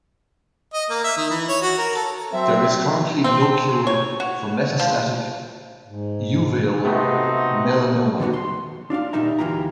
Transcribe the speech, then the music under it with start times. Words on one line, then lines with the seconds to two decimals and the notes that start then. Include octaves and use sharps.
There is currently no cure for metastatic uveal melanoma.
0.74 D#5
0.90 A#3
1.04 E5
1.17 D#3
1.30 E3
1.48 C#5
1.62 F#4
1.78 A#4
1.95 A4
2.32 F#3 C4 E5
3.24 C4
3.87 C#5
4.20 F#4
4.80 F3
5.86 G#2
6.84 C3 A3 B3 C4 D#4 F#4
8.20 D#3 G3 B3 F#4
8.34 C6
8.90 D4 F4 D5 F5
9.13 A#2 D#3 G3 D#4 E5 A#5
9.39 D2 E3 F4 G4 A#5